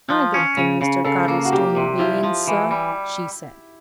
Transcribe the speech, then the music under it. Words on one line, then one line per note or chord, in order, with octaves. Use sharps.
"I don't think Mr. Cardlestone'll be in, sir," she said.
F3
C#4
C#3
C#3
C#3 A4
A#3
F#4
C2 G4
C3
F3 E4
F3
E3
G3